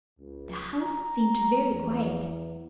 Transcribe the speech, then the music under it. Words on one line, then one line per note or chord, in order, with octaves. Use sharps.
The house seemed very quiet.
C#2
A#5
E2